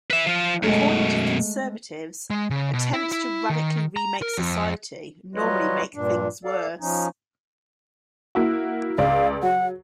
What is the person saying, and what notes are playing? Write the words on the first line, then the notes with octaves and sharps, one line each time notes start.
According to conservatives, attempts to radically remake society normally make things worse.
B4 E5
F3 F4
F#2 B2 G#3 A3
G#3
C#3
B2
E4
E4
D#3
A#5
A#4
F2
F#3 G3 F4 B4 C#5 D#5
G2 A#2 D4
A4 D5 F5
F3 C#4 D#4
A#3 E4 F#4
C#2 D5 F5
F#3 F#5